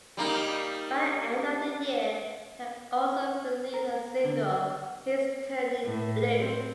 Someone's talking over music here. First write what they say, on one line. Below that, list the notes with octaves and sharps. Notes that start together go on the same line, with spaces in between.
By the end of the year they also released a single, "He's Turning Blue".
G3 A#3 D#4
A#4
D3
A2
C4